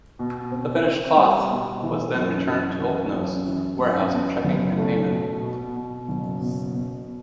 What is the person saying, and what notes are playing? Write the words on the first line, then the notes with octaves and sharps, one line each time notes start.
The finished cloth was then returned to Oldknow's warehouse for checking and payment.
B2
C4
C4
G3
B2
E3
F#2
F#2
E3
F#2
E3
F#2
B3
F#1
A3
B2
B2
B2
F#1
B2
B2